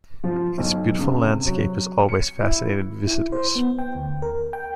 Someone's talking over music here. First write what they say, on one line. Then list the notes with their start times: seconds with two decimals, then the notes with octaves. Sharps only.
Its beautiful landscape has always fascinated visitors.
0.24 F3
0.58 B1
0.98 C#2
1.23 C3
1.46 F#3
2.09 C#7
2.41 E4
3.07 E4
3.32 C5
3.55 B3
3.79 G5
3.95 D2
4.22 A#4
4.53 G5